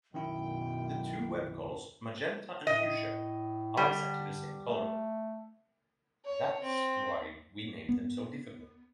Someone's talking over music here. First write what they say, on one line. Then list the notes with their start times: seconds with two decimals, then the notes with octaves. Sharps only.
The two web colors magenta and fuchsia are exactly the same color.
0.14 B1 F#2 D#3 C#4 E4 G5
2.67 A2 D#5
3.77 D3 G3
4.68 A3
6.25 C#5
6.62 C4
7.89 B3